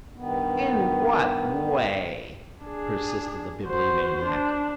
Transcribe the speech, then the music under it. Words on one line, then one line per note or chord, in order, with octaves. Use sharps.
"In what way?" persisted the Bibliomaniac.
G2 D#3 B3
D4 G#4
F#4 C5
D4